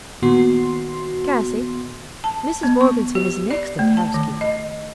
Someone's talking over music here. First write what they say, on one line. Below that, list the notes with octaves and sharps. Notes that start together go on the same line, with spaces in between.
"Cassy, Mrs. Morgeson is an excellent housekeeper."
A#2 D#3 B3 F#4 C6 C7
A5
B3
C#6
G4
D5
A3
A5
D#3
D#5